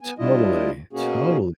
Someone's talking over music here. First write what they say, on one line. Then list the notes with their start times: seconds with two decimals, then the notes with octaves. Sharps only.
Totally, total
0.01 B3 G#5
0.18 G3 D4 E4 F4 D#5
0.93 B2 A#3 C#4 F#4 G#4